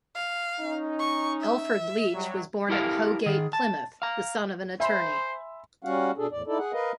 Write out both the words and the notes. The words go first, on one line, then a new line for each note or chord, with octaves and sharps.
Elford Leach was born at Hoe Gate, Plymouth, the son of an attorney.
F5
C#4 D#4
C#6
E5
F#3 G3
E4 G4 A4 A#4 C#5 F5
D#3 G#4
A5
F5 A#5
C5 E5 G#5 B5 C6
G3 C#4 F#4 F5 F#5
B2 D4 G#4 A4
E2 A2 D5
D#4 E4 A4 D5
G#4 F#5
A#4 B4 D#5 F5